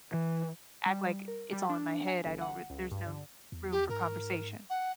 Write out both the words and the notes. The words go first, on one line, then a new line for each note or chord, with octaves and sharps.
act like it's all in my head, I don't re there's no room for conversation.
E3
G3
A#4
G3
D4
G#5
G1
F#5
C#2
G2
D3
E2
G4
G#2 A#4
F#5